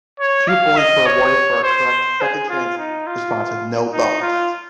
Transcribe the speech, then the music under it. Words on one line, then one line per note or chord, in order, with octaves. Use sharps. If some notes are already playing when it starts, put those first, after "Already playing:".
Two points were awarded for a correct second-chance response, with no bonus.
C#5
F5
D#5
C#5
C5
G#4
F4
D#4
F4
D#4
F4